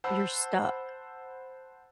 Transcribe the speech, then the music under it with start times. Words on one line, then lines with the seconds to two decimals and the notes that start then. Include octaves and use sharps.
you're stuck.
0.04 C5 F#5 A5 B5 E6